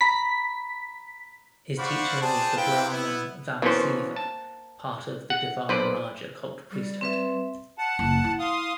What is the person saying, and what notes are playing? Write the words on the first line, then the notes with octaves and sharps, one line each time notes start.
His teacher was the Brahman Vamasiva, part of the Devaraja cult priesthood.
A#5 B5 B6
C5 D5 F5 F#5 B5 C#6
D4 G#4 C5 G5 A5
C4 E4 B4 F5 G5
B3 E4
B2 E3 A#3 C#4 C5
A5
F#5
B1 B4 C5 D5
G3
C4 B4 E5
F#5 A5
F#1
E4
F5 C6 D#6